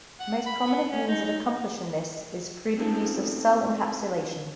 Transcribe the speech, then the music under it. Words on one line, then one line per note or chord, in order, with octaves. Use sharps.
The most prominent means of accomplishing this is through the use of cell encapsulation.
F#5
B5
B3
C#4
D#4
D#4
A2 C4 C#4 D#4 F4 A4